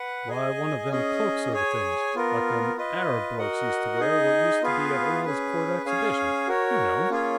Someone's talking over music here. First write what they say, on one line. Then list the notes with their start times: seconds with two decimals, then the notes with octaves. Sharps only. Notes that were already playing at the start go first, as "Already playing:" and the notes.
'Why,--one of them cloak sort of things, like them Arab blokes used to wear what used to be at Earl's Court Exhibition,--you know!'
Already playing: B4 F#5
0.29 G#4 D#5 G#5
0.90 C#4 G#4 D#5
1.52 G#4 C#5 G#5
2.15 B3 F4 A#4
2.76 F4 B4 D#5
3.39 F#4 A#4 D#5 F#5
4.00 D#4 G#4 D#5
4.62 B3 F4 G#4 B4 F5
5.24 C#4 G#4 B4
5.86 C#4 G#4 C#5 F5 G#5
6.48 F#4 A#4 C#5
7.10 A#3 C#4 F4 G#4 C#5